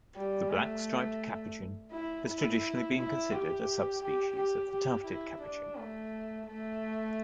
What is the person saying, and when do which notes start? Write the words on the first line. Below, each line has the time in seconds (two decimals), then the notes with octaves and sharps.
The black-striped capuchin has traditionally been considered a subspecies of the tufted capuchin.
0.16 G3
0.51 A3
1.91 E4
2.26 E4
2.96 E4
3.31 G4
4.01 G4
4.36 G4
4.71 G4
5.06 E4
5.42 D4
5.76 A3
6.47 A3